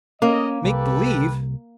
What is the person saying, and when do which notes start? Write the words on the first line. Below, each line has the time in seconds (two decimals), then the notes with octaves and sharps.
"Make believe!"
0.22 A#3 C#4 D#5
0.64 C2 G4 A4 B4